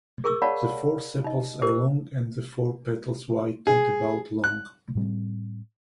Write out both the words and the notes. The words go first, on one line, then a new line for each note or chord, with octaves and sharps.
The four sepals are long and the four petals white and about long.
G#4 A#4 C#6 D6 E6
C#5 D5 F5 F#5 A5 B5
D#4 D#5
G4 A#4 C5 D6
G#4
F#6
A2 G3 C4